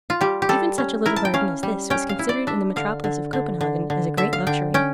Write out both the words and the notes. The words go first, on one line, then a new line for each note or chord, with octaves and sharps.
Even such a little garden as this was considered in the metropolis of Copenhagen as a great luxury.
F4
G3 G4
G4
G3 A4
C#4
E4 A#4
A5
G5
C#4 F5
G3
C#4 G5
F5
E4
D5
D4 E5
D3 F5
D3
D3
D3
D3
D3 E5
F5
D3 G5
C#4 G5